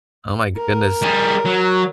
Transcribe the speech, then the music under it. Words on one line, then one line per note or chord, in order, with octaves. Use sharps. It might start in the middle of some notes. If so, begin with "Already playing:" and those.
Oh my goodness.
A#4
G3 G#4
F#3